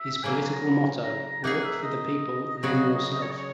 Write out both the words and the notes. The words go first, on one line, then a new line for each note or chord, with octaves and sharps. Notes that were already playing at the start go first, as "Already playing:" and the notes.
His political motto: work for the people, then yourself.
Already playing: E5
C#3 F#3 A#3 G#5
A#5
A#5
A#5
A#3 D#4 G#4 F#5
E5
D#5
C#3 F#3 C#4 F#4
C#5
D#5
C#5